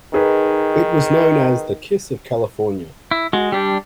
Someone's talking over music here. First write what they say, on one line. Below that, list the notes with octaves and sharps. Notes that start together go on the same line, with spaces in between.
It was known as the Kiss of California.
D#3 D#4 G#4 B4
E4
G#3 F#4
G3 D4 G4